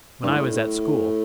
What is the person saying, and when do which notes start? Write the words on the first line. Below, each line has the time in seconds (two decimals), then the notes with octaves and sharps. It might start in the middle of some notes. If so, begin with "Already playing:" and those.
When I was at school.
0.23 G2
0.27 A2